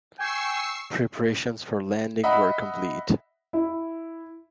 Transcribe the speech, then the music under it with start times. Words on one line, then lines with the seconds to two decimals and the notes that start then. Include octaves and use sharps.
Preparations for landing were complete.
0.19 G5 G#5 C#6 E6 C7
2.23 D#5 E5 F#5 B5
3.53 E4